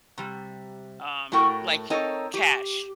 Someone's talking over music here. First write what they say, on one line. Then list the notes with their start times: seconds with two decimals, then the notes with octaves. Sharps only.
Um, like, cash,
0.18 C3 G3
1.32 A2 A3 F#4 A#4 G5
1.90 C4 D#4 A4 A#4 C#5 D#5
2.34 G4